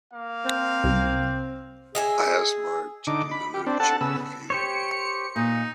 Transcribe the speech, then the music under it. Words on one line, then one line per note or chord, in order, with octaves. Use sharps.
I asked Mark to do the literature review.
A#3 F5
C4
C2
G#4 D#5 E5 G#5
D3 D#4 D6
B5
G4
C4 D4
A4 F#5 A5
C#3 B3 E6
G4 C5 C#5 C#7
A#2 D#4